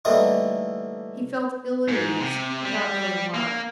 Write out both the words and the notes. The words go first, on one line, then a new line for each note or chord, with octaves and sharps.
He felt ill at ease, without knowing why.
D3 E3 G3 A3 A#3 D#4
G#2
C3
G3
A#3